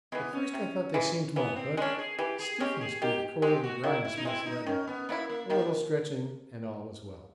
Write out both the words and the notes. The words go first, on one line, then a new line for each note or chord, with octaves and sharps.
At first I thought they seemed small, but a stiffness due to cold and dryness misled me--a little stretching and all was well.
E3 G#3 B3
C#4
C3
E3 G#3
E3 B3
C4
G#3 C#4 D4
G#4
E3 G4
G#4
G#3 C#4 G4
G#4
D#3 G4
G#3 C4 G4
F#4
D#3 E4
E4
D#4
G#3 C4 E4
D#4
D#3 C#4
B3
F#3 A#3 B3 E4
A#3
D#3 A#3